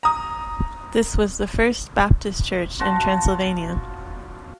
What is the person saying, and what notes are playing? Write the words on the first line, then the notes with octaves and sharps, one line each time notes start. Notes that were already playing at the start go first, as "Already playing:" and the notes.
This was the first Baptist church in Transylvania.
A#5 D#6
F4 F#4 A5